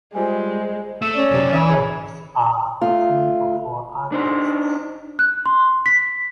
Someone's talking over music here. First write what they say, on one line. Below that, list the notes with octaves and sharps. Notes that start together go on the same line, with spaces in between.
The drawings are by three or four artists.
G3 G#3 F4 C5 G#5
A3 E6
C#4 D5
F#2 C3
E5 G#5
G#4 C#5
A3 F4
D4 D#4 C5
F#6
C6
B6